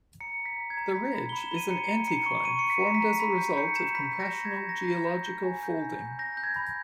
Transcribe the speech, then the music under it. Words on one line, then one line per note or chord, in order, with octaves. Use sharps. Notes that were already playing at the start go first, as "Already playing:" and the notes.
The ridge is an anticline, formed as a result of compressional geological folding.
A#5 C#7
A#5
B6
A#5
G#6
A#5
B5 B6
B5
B5 G7
E7
B5
D#7
A#5 C#7
A#5
A#5 C#7
C#6
C#6 D#7
C#6 C#7
B6
A#5
B6
A#5
B5 B6
G6
G6 C#7
G6 E7
B5 B6
G6
A#6
G6
G#6
B5
A#5 A#6
A#5
G6
G6
G#5
G6
G#5
G6
G6 A#6
G6
G#6
B5